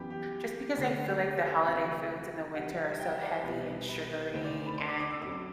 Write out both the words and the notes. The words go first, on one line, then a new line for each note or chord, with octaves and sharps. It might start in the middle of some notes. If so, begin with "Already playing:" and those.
just because I feel like the holiday foods in the winter are so heavy and sugary, and
Already playing: F#2 E3 G3 B3 G4
G4
D2 D3 A3
A4
G4
A4
D2 C3 E3 C5
C2 C3 E3 G3 F#5
G5
E5
D5
C5
C2 B2 G3 B4
B4
D2 D3 A3 C5
D5
B5
C6
D6
D6
E6
F#2 F#3 A3 C4 D6